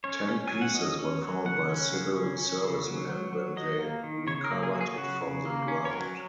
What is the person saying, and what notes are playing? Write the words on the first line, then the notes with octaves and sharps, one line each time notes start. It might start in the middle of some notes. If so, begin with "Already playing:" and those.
Ten pieces were found by civil servicemen when they recovered it from the ground.
C#4 C#5
C#4
F#3 G#5
F#5
C#4 D#5
C#4
F#3
C#3 F#5
C#4
C#3
C#4
C#4
C#3
F#3
F#3
F#3
F#3 D#5
A#3
D#3
C#3 C#5
A#4
A#3
G#4
F#3
G#4
C#3 F#4
C#3
A#3
C#4
C#5
F#3 A#4